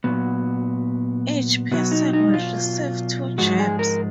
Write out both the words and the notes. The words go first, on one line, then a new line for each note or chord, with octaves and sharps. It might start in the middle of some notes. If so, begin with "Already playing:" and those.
Each person will receive two jabs.
A#2 F#3 B3
B2 F#3 B3
D#4
D#4
F4
G#2 F3 G#3 F#4
G#4
A#4